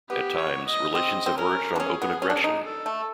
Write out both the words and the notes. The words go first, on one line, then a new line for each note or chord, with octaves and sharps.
At times, relations have verged on open aggression.
B3 G4
C#5
D#5
C4 D#5
C4
C#4 A#4
D4
C#4 G#4
B3
C#4
D4
C#4
D#4
A4
A3